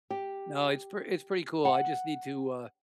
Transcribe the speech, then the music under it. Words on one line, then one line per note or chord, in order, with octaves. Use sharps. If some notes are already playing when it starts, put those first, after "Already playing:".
No, it's p it's pretty cool, I just need to, uh,
G4
F#5